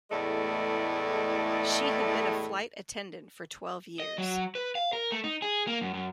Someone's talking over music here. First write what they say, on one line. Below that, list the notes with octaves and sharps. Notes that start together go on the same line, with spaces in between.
She had been a flight attendant for twelve years.
E2 A2 G#3 A3 D5 D#5
D#5
F#3
B4
F5
A#4
A3
D#4
G#4
A#3
F#2
F#2